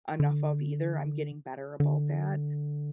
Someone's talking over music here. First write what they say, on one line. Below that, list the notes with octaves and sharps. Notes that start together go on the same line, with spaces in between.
enough of either, I'm getting better about that,
D3
D3